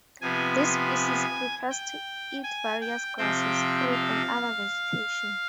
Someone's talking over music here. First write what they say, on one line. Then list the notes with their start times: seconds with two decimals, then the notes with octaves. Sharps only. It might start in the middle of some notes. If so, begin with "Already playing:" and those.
This species prefers to eat various grasses, fruit, and other vegetation.
0.21 C3 F3 B3 G#5
1.70 G5
2.44 G#5
2.81 G5
3.18 C3 F3 C4 G5
3.92 F5